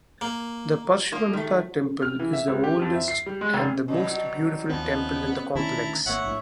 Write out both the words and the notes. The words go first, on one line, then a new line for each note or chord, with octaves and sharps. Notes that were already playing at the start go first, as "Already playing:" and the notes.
The Parshvanatha temple is the oldest and the most beautiful temple in the complex.
A#3
F3 A#3 F4
D#3 A3
F6
E3
E5
C#2
G4
F2
E5
C7
G3
G#3
F1
B2 F#3 G3
D#2 F3 B3 C4
D2 D#3 C#4 E4 A5 A#5
G#1 A#3 C#5 E5 F#5
A#1 A2